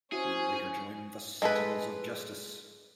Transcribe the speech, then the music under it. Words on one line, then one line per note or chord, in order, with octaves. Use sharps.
He later joined the Sentinels of Justice.
C#4 E4 F#4 G#4 C5
G#3 A4 B4